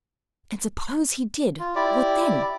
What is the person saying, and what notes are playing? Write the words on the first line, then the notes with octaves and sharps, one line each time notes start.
And, suppose he did, what then?
F4
E4 G4 D5